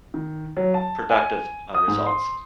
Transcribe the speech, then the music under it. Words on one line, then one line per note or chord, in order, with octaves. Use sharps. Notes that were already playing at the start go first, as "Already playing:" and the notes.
productive, uh, results.
D#3
F#3
A5
G#5
D#6
G#2
C6